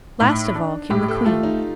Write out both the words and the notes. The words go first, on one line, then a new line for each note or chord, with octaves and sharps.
Last of all came the Queen.
A2 D#4
D4
A2 G4
A4
A3 F4
D#4